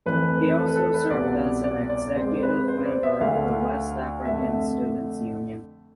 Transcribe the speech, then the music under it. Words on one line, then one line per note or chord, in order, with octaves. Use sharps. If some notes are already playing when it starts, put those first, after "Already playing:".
He also served as an executive member of the West African Students Union.
F2 E3 A3 B4
B4
A4
B4
A4
B4
C2 B2 B3 D5
D5
D5
F2 C3 G#3 C5
C5
B4
C5
D5
E5
D2 D3 A3 F5
F2 D3 A3 E5